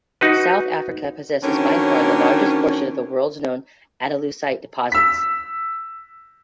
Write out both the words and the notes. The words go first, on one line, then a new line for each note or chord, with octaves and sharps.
South Africa possesses by far the largest portion of the world's known andalusite deposits.
D#4 F#4 B4
D3 D#3 F#3 A#3 C4 C#4
E6 B6